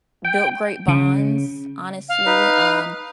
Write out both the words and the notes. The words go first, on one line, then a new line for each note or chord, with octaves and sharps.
built great bonds, honestly, um,
G5
C#3
F5
D#4 B4